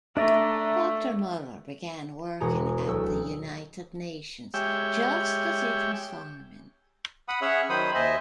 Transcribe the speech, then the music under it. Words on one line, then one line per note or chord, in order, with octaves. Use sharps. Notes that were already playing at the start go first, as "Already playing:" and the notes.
Doctor Muller began working at the United Nations just as it was forming.
A3 D4 D5 E5 A#5
E1 G#3 F#4 A#5
D2 F#3 E6
G#3 G4 C#5 E5 G5
F#5 B5 D#6
C#4 G#4 C#5 E5 F#5
D#3 F#3 C5 B5 D#6
D#2 C5 D#5 E5 G#5